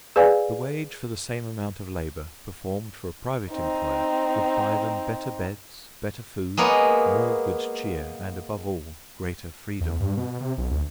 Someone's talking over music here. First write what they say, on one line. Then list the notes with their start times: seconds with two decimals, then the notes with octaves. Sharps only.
The wage for the same amount of labour, performed for a private employer, would buy them better beds, better food, more good cheer, and, above all, greater freedom.
0.16 G#4 B4 D5 F5 G#5
3.52 C4 D#4
6.57 G#3 A#3 B3 A#4 C#5
9.81 E2
10.00 G2
10.17 B2
10.41 C3
10.58 B1
10.71 D2